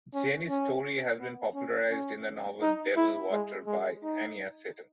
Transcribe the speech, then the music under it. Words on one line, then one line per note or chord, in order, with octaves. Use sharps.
Jenny's story has been popularized in the novel "Devil Water" by Anya Seton.
C#4
C#4
B3
C#4
C#4
D#4
E4
G#3
G#3
D#4